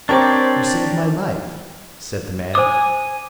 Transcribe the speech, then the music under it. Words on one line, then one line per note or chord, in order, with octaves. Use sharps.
"You saved my life," said the man.
C4 D4 G4 A#4 C#5 D5 C#6
C5 G#5 D6 D#6